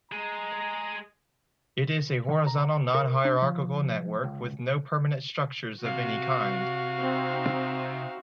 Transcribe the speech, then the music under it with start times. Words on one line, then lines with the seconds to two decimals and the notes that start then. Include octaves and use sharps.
It is a horizontal, non-hierarchical network, with no permanent structures of any kind.
0.12 G#3 G#4 A#5
2.29 D#3
2.47 A#5
2.95 A#4
3.25 D4
3.42 F3
4.24 C#2
5.84 C3 F#4 F5
7.01 C4 D#4 E5